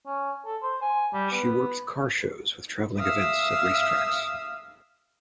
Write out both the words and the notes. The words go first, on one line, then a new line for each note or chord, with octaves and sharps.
She worked car shows with traveling events at race tracks.
C#4
A4
C5
G#5
G3
B3
E5 F5 D#6 E6